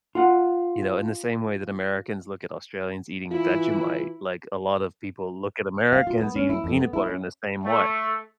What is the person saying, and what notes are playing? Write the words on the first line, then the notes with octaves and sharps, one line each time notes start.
you know, in the same way that Americans look at Australians eating Vegemite, like a lot of people look at Americans eating peanut butter in the same way.
F4 F#5
E3 E4 F4
F5
F4
B3
C#4
E4
F2
B3
E4
C#4
A3